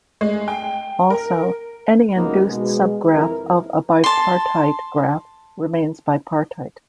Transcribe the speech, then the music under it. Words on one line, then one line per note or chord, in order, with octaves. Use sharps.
Also, any induced subgraph of a bipartite graph remains bipartite.
G#3
G5
A#4
C#2 F#2 F#3 A#3 B3 D#4
B2 G#3
F2 E3 E4 A#4
A5 C6